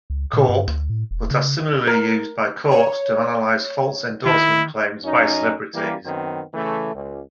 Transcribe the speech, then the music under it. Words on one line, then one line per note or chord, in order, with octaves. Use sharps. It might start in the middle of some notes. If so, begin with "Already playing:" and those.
Corp., but are similarly used by courts to analyze false endorsement claims by celebrities.
C#2
A#2
G2
D2
A2
E1
C#3
A#4
C#5
D#3 E4
F#2 C#4 D#4
E3 G3 A#3
F#2 D#3 B3 C4
C#3 E3 A3
C#2